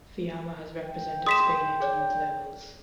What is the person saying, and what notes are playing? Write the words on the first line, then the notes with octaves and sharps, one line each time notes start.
Fiamma has represented Spain at youth levels.
G5
G#4 D#5 C6 D#6 B6 E7
G#4 C#5 D5